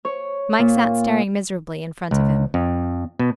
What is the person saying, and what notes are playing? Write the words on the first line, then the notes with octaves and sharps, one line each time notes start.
Mike sat staring miserably in front of him.
C#5
A#2
C#2
F2
B2